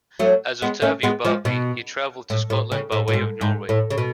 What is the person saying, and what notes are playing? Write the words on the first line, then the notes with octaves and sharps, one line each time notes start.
As "Ottavio Baldi" he travelled to Scotland by way of Norway.
F#3 A3
G#3 B3
A3 C#4
G#3 B3
F3 G#3
B2
A2
A2
C#3
A2
A2
G#2
G#2
A2
C#3
B2